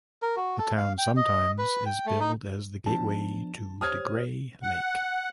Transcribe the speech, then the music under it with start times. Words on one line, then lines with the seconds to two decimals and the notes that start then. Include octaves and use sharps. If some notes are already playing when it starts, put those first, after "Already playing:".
The town sometimes is billed as "The Gateway to DeGray Lake".
0.22 A#4
0.37 F#4
0.58 A4
0.78 F5
0.98 G5
1.17 D#5
1.58 B4
1.86 G5
2.06 A3
2.20 D#4
2.86 F3 B3 D4 A5
3.81 G4 C5 C#5 D#6 F6 G#6
4.63 F#5